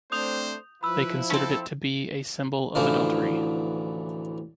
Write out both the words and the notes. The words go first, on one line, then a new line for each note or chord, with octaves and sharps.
They considered it to be a symbol of adultery.
A3 C4 D4 C5 D#6 G6 F7
F3 E4 B4 B5 E6
C4 C#4 A4
A1 D2 D3 E3 F3 F5